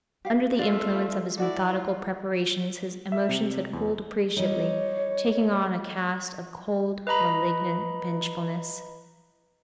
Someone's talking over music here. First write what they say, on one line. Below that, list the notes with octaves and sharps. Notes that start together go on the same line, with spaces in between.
Under the influence of his methodical preparations, his emotions had cooled appreciably, taking on a cast of cold malignant vengefulness.
G4 F5
A3 D4 F4 D5 F5
E4 F#4 A4 D5
F4
E5
C3
E2
G3 D#4 C#5
B4 D#5 A#5 B5